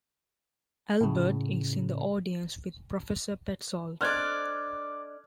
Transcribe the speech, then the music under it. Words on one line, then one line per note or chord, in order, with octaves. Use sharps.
Albert is in the audience with Professor Petzold.
A2 C#3
D4 A4 C5 D5 D#5 F6 F#6 G#6